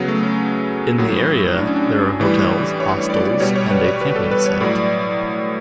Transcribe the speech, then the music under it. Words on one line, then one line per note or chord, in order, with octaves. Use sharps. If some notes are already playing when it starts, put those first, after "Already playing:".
In the area there are hotels, hostels, and a camping site.
Already playing: C#3 F#3 B3
A3
C#4
A2 F#3
D4
C#4
D4
A2 E3 G3
C#5
D5
B2 G3 C#5
C#5
B4
C#5
B4
A4
B4
C#5
A2 F#3 D5